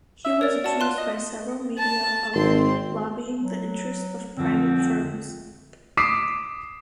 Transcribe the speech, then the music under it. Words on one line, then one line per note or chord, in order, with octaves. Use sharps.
He was accused by several media of lobbying the interests of private firms.
E5
A#4 C#5 D5
F#4 D5 A5
F4 A5 C6 F#6
D#5
A5
G#1 C4 C6
F#3
F2 D3 C4
D6 D#6 B6 C7 E7